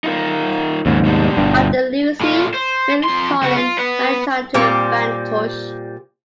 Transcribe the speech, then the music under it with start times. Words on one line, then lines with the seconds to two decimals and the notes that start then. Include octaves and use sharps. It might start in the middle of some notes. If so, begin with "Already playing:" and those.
After Lucy, Phil Collen went on to the band Tush.
0.04 D#4 F4 A#4
0.86 D#2 G#2 C#3 F3
1.05 B2 G3 D4
1.37 G1 G2
2.21 A2 F4
2.54 C5
3.04 F2 C6
3.43 C#3 F#4
3.56 F4
3.78 B3 B4
4.54 A#2 G3 C4